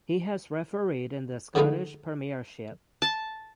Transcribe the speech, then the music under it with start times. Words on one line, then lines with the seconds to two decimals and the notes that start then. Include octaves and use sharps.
He has refereed in the Scottish Premiership.
1.55 D3 F3 G#3 A3 B3 D#4
3.02 A5